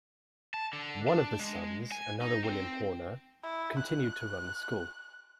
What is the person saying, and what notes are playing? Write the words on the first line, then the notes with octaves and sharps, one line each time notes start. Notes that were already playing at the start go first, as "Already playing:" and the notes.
One of the sons, another William Horner, continued to run the school.
A5
D3
D4
G#3
G#5
D#4
C4
E4
F#6